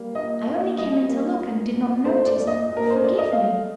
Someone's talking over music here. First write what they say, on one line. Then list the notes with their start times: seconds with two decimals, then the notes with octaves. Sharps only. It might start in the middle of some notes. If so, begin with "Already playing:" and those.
"I only came in to look and did not notice... forgive me..."
Already playing: G3 A#3
0.15 A#2 D#5
0.47 A#2
0.78 G3 D#5
1.10 A#3
1.41 A#2
1.74 A#2
2.05 A3 C5
2.26 D5
2.37 A#2
2.47 D#5
2.68 A#2
2.77 A#4
2.90 C5
3.00 A3 D5
3.18 D#5
3.32 A3 F5